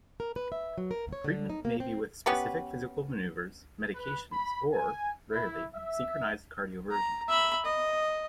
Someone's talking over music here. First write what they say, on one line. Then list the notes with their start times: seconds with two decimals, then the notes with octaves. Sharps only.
Treatment may be with specific physical maneuvers, medications, or, rarely, synchronized cardioversion.
0.20 A#4
0.36 B4
0.52 E5
0.78 F#3
0.91 A#4
1.13 C#5
1.24 D3
1.50 D#4
1.65 A#3
1.80 C4
2.26 B3 C#4 G4 B4
3.95 B4
4.31 B5
4.72 G#5
5.32 E4
5.72 E5
6.91 A#5
7.29 E5 B5
7.66 D#5